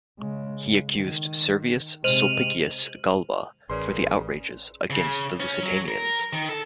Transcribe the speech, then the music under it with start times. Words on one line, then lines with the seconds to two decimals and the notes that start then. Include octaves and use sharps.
He accused Servius Sulpicius Galba for the outrages against the Lusitanians.
0.20 C#3 G#3
0.90 D#3
2.04 C3 G#3 C5 D#5 F6 D#7 F7 F#7
3.70 A1 C#3 A#4 B4 C#5 D5 C6
4.90 C#3
5.40 C#4
5.63 F#3
5.88 A#4
6.33 D#3
6.49 A4